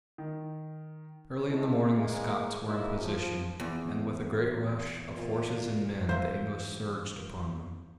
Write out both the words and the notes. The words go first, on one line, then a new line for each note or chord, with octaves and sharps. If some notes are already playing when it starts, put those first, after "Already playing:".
Early in the morning the Scots were in position, and with a great rush of horses and men the English surged upon them.
D#3
C3 E3 G#3 A3 E4
E3 G#3 A#3
F#3 G#3 A#3 D#4 E4
F3
E2
A#2
E3 F#3 C5 E5 F5 G6